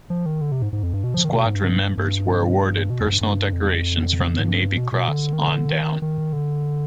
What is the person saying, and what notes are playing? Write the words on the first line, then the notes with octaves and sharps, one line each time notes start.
Squadron members were awarded personal decorations from the Navy Cross on down.
F3
D#3
D3
C3
G#2
G#2
F2
G2
B2
F3
D#3
B2
G#2
G2
G2
B2
F2
G#2
G2
G2
F2
G#2
G2
B2
B2
D3
D#3
D3
D#3
D#3
D3